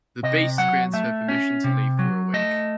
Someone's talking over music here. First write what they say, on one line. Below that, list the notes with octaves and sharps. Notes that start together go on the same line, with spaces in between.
The Beast grants her permission to leave for a week.
C3 D#5
F#3 F#5
A3 E5
C#4
C3
F#3
A3 D#5